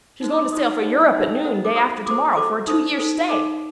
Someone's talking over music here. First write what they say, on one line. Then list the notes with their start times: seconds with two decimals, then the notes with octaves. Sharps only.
She's going to sail for Europe at noon day after to-morrow for a two years' stay.
0.21 D#4 F#4 C5
0.32 D6
0.42 C6
0.52 D#4 F#4 C5 D#6
0.72 F#5
0.83 D#4 F#4 C5 D#5
0.93 D5
1.03 D#5
1.13 D#4 F#4 C5 F#5
1.35 G5
1.44 F#4 A4 C5 F#5
1.55 D#5
1.65 D6
1.75 F#4 A4 C5 D#6
2.06 F#4 A4 C5 D6
2.36 F#4 A4 C5 D6
2.67 D#4 A4 C5 D#6
2.98 D#4 A4 C5
3.29 D#4 A4 C5 D6